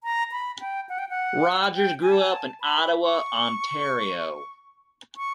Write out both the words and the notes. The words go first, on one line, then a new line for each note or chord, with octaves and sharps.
Rogers grew up in Ottawa, Ontario.
A#5
B5
G5
F#5
G5
F#5
G5
G#5
A5
G#5
A5
B5
C#6
C#6